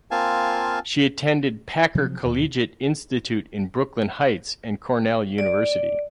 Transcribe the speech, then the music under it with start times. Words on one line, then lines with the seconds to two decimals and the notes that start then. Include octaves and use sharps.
She attended Packer Collegiate Institute in Brooklyn Heights and Cornell University.
0.11 A#3 C4 F4 F5 G#5 A5
1.95 C3 F3 F#3 C4
2.25 D#2 B2
5.38 D5